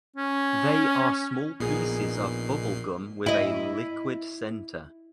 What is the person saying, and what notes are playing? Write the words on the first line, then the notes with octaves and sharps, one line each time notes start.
They are small pieces of bubble gum with a liquid center.
C#4
A#1 A#2 B3 D#4 G#4 C7
E4 D#5